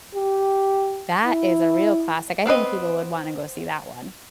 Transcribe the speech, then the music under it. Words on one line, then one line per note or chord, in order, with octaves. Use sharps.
That is a real classic. I think people would wanna go see that one.
G4
E4
B3 C4 B4 D#5